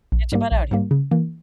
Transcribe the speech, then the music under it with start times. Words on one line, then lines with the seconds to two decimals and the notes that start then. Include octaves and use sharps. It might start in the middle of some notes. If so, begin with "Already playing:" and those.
get your butt out here."
0.12 A#1
0.32 G#2 G3 A#3
0.52 A#1
0.71 G#2 G3 A#3
0.91 C#3
1.11 E3 A#3